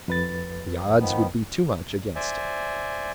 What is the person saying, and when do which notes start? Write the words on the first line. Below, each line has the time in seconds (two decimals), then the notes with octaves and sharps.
The odds would be too much against him.
0.08 F2 B4 A6
0.97 D#3 F3 B3
2.15 C5 D5 E5 G#5